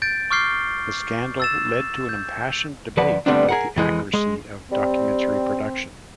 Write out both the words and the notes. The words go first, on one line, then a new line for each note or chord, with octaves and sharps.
The scandal led to an impassioned debate about the accuracy of documentary production.
G6 A6 D7
C#6 D6 F6 G6 C7 G7
E6 A6 E7
G6
D2 F3 B4 D5 F#5 A5
D3 G3 A3 B3 C4 D4
G#4 A#4 F#5
F2 E3 G#3
G#3
G3 C4